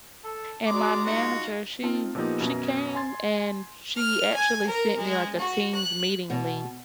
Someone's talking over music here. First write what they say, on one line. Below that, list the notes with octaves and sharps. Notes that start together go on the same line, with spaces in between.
and my manager, she she came, and she actually sent me, like, a Teams meeting link
A4
G#3 F#4 D5 A#5 D6
D#4 F4 F#4
C4 D#4 F4 A5
A#2 E3 F3 B3 D#4 G4
F#2 B2
G#5 C6 A6
F6
G#5
A#4
G#3
F#4
F#6
B2